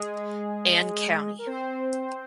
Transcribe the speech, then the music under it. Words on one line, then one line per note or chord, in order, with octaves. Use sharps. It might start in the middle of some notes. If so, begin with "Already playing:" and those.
Anne County.
Already playing: G#3 G#4
A#4
C4 C5